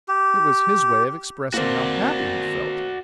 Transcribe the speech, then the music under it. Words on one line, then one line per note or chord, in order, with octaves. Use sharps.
It was his way of expressing how happy he felt.
G4
A#3 C4 F#4 D5